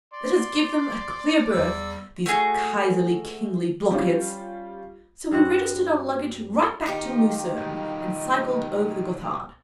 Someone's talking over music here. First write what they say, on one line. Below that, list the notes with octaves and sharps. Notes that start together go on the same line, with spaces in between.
Let us give them a clear berth, these Kaiserly-Kingly blockheads!' So we registered our luggage right back to Lucerne, and cycled over the Gotthard.
D5 C6
E2 G3 E6
A3 F#4 G#4
G3 C#4 F4
G2 C4 F#4 F#5
D#3 D#4 F4 G4
B2 G3